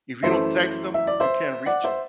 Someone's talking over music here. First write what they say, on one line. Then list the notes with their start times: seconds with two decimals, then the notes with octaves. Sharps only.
If you don't text them, you can't reach 'em.
0.23 F#2 E3 A3 C5 E5
0.94 E5
1.07 D5
1.20 C5 E5
1.66 D5 F#5
1.84 C5 E5